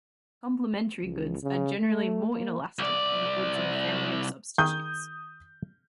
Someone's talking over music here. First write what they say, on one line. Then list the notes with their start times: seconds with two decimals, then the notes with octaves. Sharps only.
Complementary goods are generally more inelastic than goods in a family of substitutes.
1.02 C#2
1.43 C#3
1.80 A3
2.31 A#3
2.79 C2 D5
4.58 D#3 G#4 D#6 G6